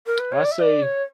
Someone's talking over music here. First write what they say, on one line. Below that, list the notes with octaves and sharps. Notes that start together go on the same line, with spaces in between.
I say
A#4
B4
C#5
D5
E5
D5
C#5